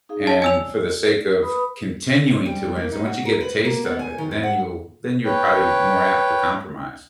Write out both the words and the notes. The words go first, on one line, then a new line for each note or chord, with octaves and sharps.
and for the sake of continuing to win, so once you get a taste of it, then you'll then you're probably more apt to compromise.
D#4 G#4 F5
C#5 A5
G#5 E6 F7
D5
B4 B5 D#6
G3
A#3
D#4
F#4
A#4
B4
A#3
B3
G#5
D#3
F2
F#5
B4 C#5 G5